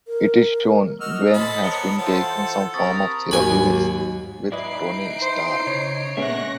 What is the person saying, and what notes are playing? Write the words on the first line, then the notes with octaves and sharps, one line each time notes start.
It is shown Gwen has been taking some form of therapy with Tony Stark.
A#4
F#4 D#5 E6 F6
A4 C5 A5 B5
B3 A#4 C#5 A5 C#7 G7
E3 F4 A4 C5 F#5
C4 G4 A#4 B5 C#6 D#6 A6
D#2 G#2 F#3 F#4 G#5 B5
D#4 E4 B4 D5 D#5 C7 D7
C5
C#3 C#5
A#2 G#3 B3 C#4 E5 C#6 F#6 A#6